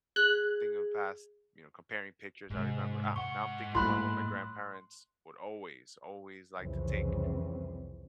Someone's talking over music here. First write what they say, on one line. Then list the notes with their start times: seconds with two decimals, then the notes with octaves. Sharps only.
thinking of past, you know, comparing pictures, I remember Ah, now I'm thinking one where my grandparents would always, always like to take
0.16 G#4 F#6
2.51 G#2 C3 G#3
3.16 G#2 F#5 C#6
3.75 A2 G3 A#3 B5 C6 F#6
6.59 C2 F2 C#3 E3 C4 C#4